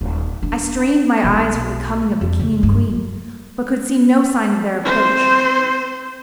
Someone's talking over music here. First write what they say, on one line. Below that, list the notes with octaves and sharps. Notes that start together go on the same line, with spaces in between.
I strained my eyes for the coming of the King and Queen, but could see no sign of their approach.
D#1
D4
B1 B2
F2
C#3 F#3
G2
C4 C5